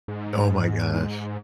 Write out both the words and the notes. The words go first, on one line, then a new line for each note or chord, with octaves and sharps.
Oh my gosh.
G#2